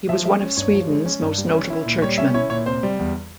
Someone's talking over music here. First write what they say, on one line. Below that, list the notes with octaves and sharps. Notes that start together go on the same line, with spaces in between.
He was one of Sweden's most notable churchmen.
F3 E5
G#3 E5
C#4 C#5
G2 C#5
F3
G#3
C#4
G2
G3
C#4
E4
A#2
G3 C#5
C#4 E5
E4 C#5
A#2 C#5
C3 C5
G3
E2